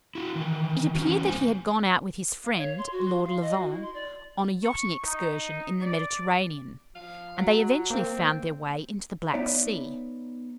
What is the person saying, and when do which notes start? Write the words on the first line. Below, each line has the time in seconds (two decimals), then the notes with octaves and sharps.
It appeared that he had gone out with his friend, Lord Levant, on a yachting excursion in the Mediterranean, and they eventually found their way into the Black Sea.
0.15 E4 F#4
0.36 D#3 E3
0.95 E3 C4 C#4 F#4
1.25 E2 C3 G#3 C5 G#5
2.44 F5
2.58 C#5
2.78 C6
2.91 F#4
3.06 C6
3.24 F5
3.41 D#5
3.57 F#4
3.69 E4
3.82 C6
3.94 D5
4.64 C#6
5.04 D#4
5.82 D5
6.94 F3 F5
7.36 F#3
7.90 A#3 C4
9.34 B3 D#4 C#5 D5 E5